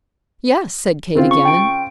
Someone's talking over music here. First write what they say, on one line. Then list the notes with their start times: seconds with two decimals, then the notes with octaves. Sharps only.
"Yes," said Kate again.
1.15 C#3 C4 F4
1.31 C#6
1.45 G5 D7